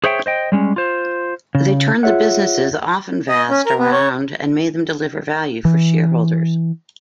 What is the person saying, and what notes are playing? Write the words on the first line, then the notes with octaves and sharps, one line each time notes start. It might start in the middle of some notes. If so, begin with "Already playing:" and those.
They turned the businesses-often vast-around and made them deliver value for shareholders.
G#4 C5 C#5 E5 G5
C5 D#5 G5
G3 G#3 C#4
F4 C5
C#3
F4 G#4 C#5 E5 F#5
D#5
C#4
A#4
B3
C#5
E3